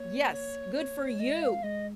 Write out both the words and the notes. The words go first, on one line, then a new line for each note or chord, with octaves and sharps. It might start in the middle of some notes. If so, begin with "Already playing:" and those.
Yes, good for you
Already playing: A#3 C#5
C#5
C#5
G#3 D#5
F5
G#3 D#5